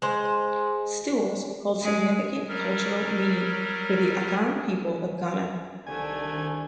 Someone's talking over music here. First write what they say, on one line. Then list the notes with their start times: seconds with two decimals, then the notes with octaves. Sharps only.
Stools hold significant cultural meaning for the Akan people of Ghana.
0.02 G#3 C5
1.83 G#3
2.48 F#3 G3 A#4
5.87 C2 D3 D#3 A3 D4 G#5